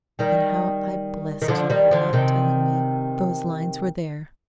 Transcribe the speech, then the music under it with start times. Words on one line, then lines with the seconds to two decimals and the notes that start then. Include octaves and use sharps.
And how I blessed you for not TELLING me those lines were there!
0.19 D#3 G3
1.42 D#3
1.48 D3 F3
1.70 D#3 G3
1.91 D3 F3
2.13 C3 D#3